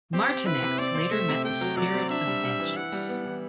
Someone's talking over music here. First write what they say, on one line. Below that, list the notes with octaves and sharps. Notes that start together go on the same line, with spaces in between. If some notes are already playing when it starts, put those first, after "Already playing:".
Martinex later met the Spirit of Vengeance.
C4 G4
C4
E4 B4
C3
C4 D5
C4
A3 E5
C3
A3 G5
F#3
F#3 D5
C4
D4 E5
G3
G3
E3
E4 F#5
G3
B3
E3